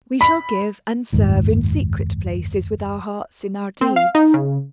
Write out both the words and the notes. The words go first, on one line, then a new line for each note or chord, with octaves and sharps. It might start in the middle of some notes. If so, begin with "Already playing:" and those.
We shall give and serve in secret places with our hearts in our deeds.
B5
F#1 D#2 G#2
C4
F5
D#4
C#3